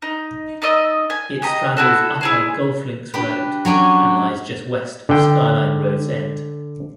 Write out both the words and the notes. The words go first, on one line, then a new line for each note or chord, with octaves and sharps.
It straddles upper Golf Links Road and lies just west of Skyline Road's end.
D#4
D#4 D5 D#5 E6
G#5
G4 D#5 A#5
E4 F#4 A4
E4 G#4 C5
D4 G4 B4
F#3 C#4 D4 G#5
D3 G5